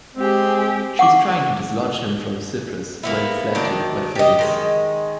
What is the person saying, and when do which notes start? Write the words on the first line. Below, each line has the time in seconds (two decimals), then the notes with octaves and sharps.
She is trying to dislodge him from Cyprus, where he fled to, but fails.
0.15 G#3 C4 G4 G#4
0.99 F#5 C#6 D6
3.03 A#3 B3 E4
3.55 D#3 F#3 D4
4.15 G4 D#5
4.39 D#3 G#3